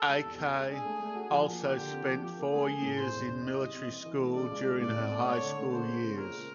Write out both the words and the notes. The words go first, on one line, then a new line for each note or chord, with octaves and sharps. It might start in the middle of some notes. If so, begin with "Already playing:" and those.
Aki also spent four years in military school during her high school years.
Already playing: A4
G3
E2
B2
G#3
D4 G#4
A3
A3
F#4
F3
A#3
D3 G4
D3
C4
F3
F3
A#3
A3 G#4
A3
A2
C#3 C5
E2
C#3
E4 D#5
G3
C4
E3
E3
A3
C#3 D5
C#2
G3
A2 D5
C4
A3
A3 C#5
D3
A3
C#3 C5
B3
C#3
A#2 A#4
G#3